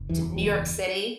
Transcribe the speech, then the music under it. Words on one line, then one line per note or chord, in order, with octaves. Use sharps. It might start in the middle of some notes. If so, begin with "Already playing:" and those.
t New York City.
Already playing: F#1
E2 E3
F#3
F#1 E3 G#3